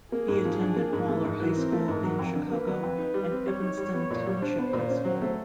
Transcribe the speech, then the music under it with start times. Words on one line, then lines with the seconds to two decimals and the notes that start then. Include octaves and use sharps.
He attended Waller High School in Chicago and Evanston Township High School.
0.12 A#3 G#4
0.28 G#2
0.45 F3
0.61 D4
0.76 A#3
0.93 G#2
1.08 A3 A#4
1.24 G#2
1.40 E3
1.56 C4
1.72 A3
1.88 G#2
2.03 F#3
2.19 F2
2.35 D3
2.51 A#3 B4
2.67 F#3
2.83 F2
2.98 D#4
3.14 G3
3.30 C4
3.46 G3 C#5
3.62 D#4
3.78 G3
3.94 B3
4.11 A#2
4.26 G3
4.42 D4 C5
4.58 B3
4.73 A#2
4.90 C#4
5.05 F#3
5.22 A3